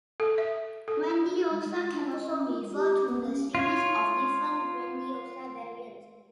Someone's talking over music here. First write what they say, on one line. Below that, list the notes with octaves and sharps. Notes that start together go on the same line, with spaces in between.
Grandiosa can also refer to the series of different Grandiosa variants.
A4
E5
A4
D#4
G#3
F4
D4
D#5
C#4
F4
G#3
G4
B3
C#4
F4 C#5